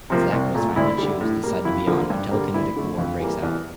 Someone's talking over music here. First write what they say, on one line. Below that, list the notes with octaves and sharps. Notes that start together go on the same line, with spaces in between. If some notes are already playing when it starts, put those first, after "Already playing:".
Zach must finally choose the side to be on when telekinetic war breaks out.
C3 F3 A#3
C2
A#2 A3
D2 E4
D3 G3
A2
G3 A#3
F2 E4
D3 F3 A#3
G2
D3 G3 A#3
D2 E4
D3 A3
F2
E3 G3 A#3
E2